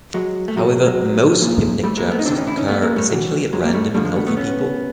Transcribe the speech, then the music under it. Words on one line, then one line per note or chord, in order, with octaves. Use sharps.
However, most hypnic jerks occur essentially at random in healthy people.
F#3 G#3
A3
E2 B2 F#3 G#3
F#3 G#3
F#3 G#3
B1 A#2 F3
G3 A3
G#3 A#3
A3 B3
D#4
D2 C3 E3 C4 D4
C#4 D#4
D4 E4
C#4 D#4
A3 B3
G#3 A#3
G3 A3
G2 E3 F#3
F#3 G#3
A#3
G3 A3
D#2 D3 F3 G3 A3
G#3 A#3
A3 B3
A3 B3
B3 C#4